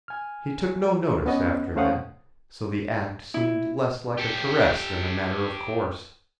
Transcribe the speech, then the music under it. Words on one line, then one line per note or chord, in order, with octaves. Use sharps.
He took no notice after that, so the act seemed less like a caress than a matter of course.
G#5 F6
B3 C#4 D#5 F#5
A3 C#4 C5 F5 F#5 D#6
E4
G4 A4